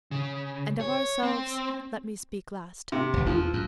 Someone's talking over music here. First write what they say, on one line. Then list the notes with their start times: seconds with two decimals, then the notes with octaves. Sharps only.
And of ourselves let me speak last.
0.11 C#3
0.81 C#5
1.23 C4
2.92 C3
3.13 E1 C#2
3.26 E2 F3
3.53 F#2